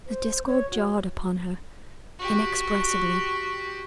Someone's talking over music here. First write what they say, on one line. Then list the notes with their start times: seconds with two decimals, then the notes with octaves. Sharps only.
The discord jarred upon her inexpressibly.
0.06 C5
0.46 C#5
0.71 F#4
2.18 F#4 G4